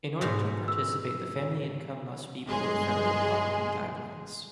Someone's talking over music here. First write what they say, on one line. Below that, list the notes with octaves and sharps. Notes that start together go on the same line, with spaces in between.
In order to participate the family income must be below federal poverty guidelines.
G#2 B2
E6
G1 G#3 G#4 C6